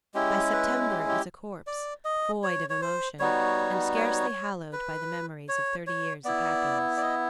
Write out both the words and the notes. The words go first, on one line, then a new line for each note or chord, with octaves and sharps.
By September it was a corpse, void of emotion, and scarcely hallowed by the memories of thirty years of happiness.
G#3 C#4 E4 G4
B4
G4
G#4
G4
D5
D#5
C#5
C#5
C5
G3 B3 D#4 F#4 C#5
C#5
B4
C#5
C#5
B3 E4 D5
D5
D#5